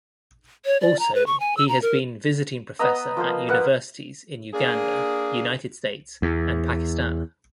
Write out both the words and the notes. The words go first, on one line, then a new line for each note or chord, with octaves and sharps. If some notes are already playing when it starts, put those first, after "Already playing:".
Also, he has been visiting professor at universities in Uganda, United States and Pakistan.
C#5
D5
A#5
B4
C#6
G#5
E6
A#5
A#4
B3 D#5 A#5 E6
F3 A#3 C5
A#3 B4 F#5
A#3 D4 G#4
E2